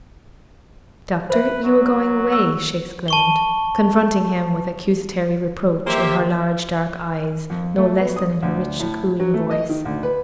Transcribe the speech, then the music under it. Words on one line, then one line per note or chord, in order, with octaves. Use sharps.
"Doctor, you are going away," she exclaimed, confronting him with accusatory reproach in her large dark eyes no less than in her rich cooing voice.
B4 C5 E5
F#3
E6
A5 C#6 G7
A#3 G4 C5 E5
F2
A3
B3
D#6
D2
A2
F#3
A3
D#5
D#3
D2
B4